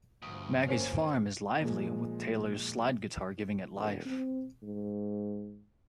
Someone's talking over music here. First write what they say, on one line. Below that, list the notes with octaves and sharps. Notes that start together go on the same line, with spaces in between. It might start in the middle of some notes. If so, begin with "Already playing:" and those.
Maggie's Farm is lively with Taylors slide guitar giving it life.
G1 D2 G2 F3 D#6
A#3 C#4 C5 C#5 G#5
A#2 F3 G#3
E1
C4
G#2